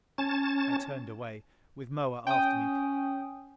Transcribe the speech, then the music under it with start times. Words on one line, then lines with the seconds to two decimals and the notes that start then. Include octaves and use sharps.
I turned away, with Moa after me.
0.18 C#4 A5
2.27 C#4 G5 D#6